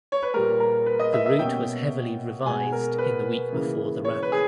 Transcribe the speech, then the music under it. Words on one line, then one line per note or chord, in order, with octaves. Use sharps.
The route was heavily revised in the week before the rally.
C#5
B4
A#2 G3 A#3 A#4
A#4
B4
D#5
E5
E5
B2 A#3 C#4 G5
B2 G#3 B3 G#5
A#4
B4
C#3 E3 A#3
C#5
B4
G#4